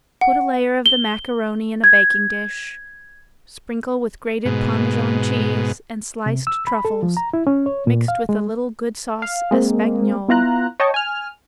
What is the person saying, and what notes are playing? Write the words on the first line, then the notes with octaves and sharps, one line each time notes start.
Put a layer of the macaroni in a baking dish, sprinkle with grated Parmesan cheese and sliced truffles mixed with a little good sauce espagnole.
F#5
G7
G#6
G#2 B2
C3
E6
B5
A4
F3
A#5
E4
C#4
C#5
A#2
F5
G#3
F5
G#3 A#3 C4
B3 E4 F4 A#5 F#6
C#5 D#5 G5 A5 C#6
G#5 F6